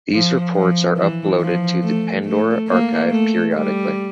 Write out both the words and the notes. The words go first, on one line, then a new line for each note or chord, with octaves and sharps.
These reports are uploaded to the Pandora Archive periodically.
F3
F3
E3
F3
A3
A3
A#3
A3
G3